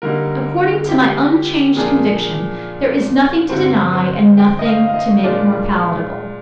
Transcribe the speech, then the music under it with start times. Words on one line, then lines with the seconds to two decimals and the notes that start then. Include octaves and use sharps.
According to my unchanged conviction there is nothing to deny and nothing to make more palatable.
0.02 D3 G3 A#3 D#4 A#4
0.89 G4
1.76 A#2 F3 A#3 D4 G#4
3.49 G2 D3 G3 C4 C5
3.93 C5
4.37 G5
4.59 D#5
4.66 F5
4.87 F5
4.94 D#5
5.23 A#2 G#3 D4 F4 D5